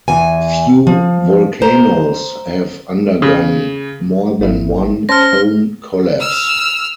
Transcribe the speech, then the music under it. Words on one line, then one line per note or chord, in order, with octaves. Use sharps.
Few volcanoes have undergone more than one cone collapse.
E2 G#5
F3
C5 A#5
C#3
G#1 A#3 E4
C#4 C5 A5 F6 A#6
E6 F6